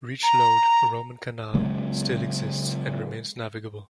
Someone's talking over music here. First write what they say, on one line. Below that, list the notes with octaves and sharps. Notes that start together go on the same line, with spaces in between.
Reach Lode, a Roman canal, still exists, and remains navigable.
A#5
C#3 F#3 G#3 A#3